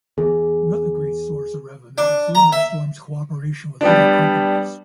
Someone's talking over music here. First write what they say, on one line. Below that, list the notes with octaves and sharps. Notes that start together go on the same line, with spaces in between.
Another great source of revenue was LunarStorm's cooperation with other companies.
E2 G#4
D4
A#5
E5
G3 B3 D4